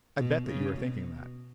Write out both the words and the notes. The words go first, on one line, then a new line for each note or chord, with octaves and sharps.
I bet that you are thinking that.
B2
C#3
B2